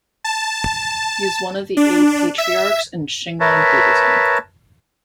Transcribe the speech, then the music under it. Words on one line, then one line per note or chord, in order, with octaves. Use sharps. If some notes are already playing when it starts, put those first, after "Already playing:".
He is one of the eight patriarchs in Shingon Buddhism.
A5
D4
E5
A#4 B4 C#5 E5 A5